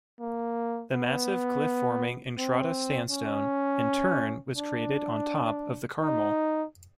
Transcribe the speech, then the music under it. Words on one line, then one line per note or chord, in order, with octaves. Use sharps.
The massive cliff-forming Entrada Sandstone in turn was created on top of the Carmel.
A#3
B3
C4
C#4
D4
D#4